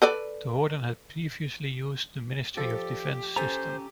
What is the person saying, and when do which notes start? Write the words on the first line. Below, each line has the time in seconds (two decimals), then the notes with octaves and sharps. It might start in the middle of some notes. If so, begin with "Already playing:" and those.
The warden had previously used the Ministry of Defence system.
0.02 A4 B4 D5
2.57 F3 G4 A4 D5
3.36 C#4 A4 C5 G#5 A#5